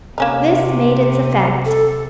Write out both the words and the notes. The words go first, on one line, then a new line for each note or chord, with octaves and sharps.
This made its effect.
C3 A#3 C#4 D#4
A4